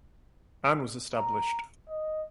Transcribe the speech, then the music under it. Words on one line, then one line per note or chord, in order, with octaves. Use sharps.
Anne was established.
A#5
D#5